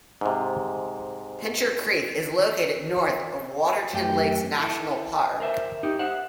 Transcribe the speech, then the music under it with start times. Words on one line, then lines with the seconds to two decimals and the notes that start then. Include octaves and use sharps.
Pincher Creek is located north of Waterton Lakes National Park.
0.21 G#2 C3
3.93 F#2 A3 G4 G5
4.58 E4 A4
5.40 A#4 C5 E5
5.83 D#4 G4
5.99 C5 E5 F#5